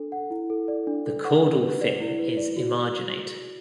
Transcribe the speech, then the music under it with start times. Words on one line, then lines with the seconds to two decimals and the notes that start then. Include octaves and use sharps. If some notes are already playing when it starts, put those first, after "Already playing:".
The caudal fin is emarginate.
Already playing: D4 A4
0.12 F#5
0.30 E4
0.50 A4
0.68 D5
0.87 D4
1.06 A4
1.25 F#5
1.43 D4
1.62 B4
1.81 D5
2.00 E4
2.19 B4
2.37 D5
2.56 F#4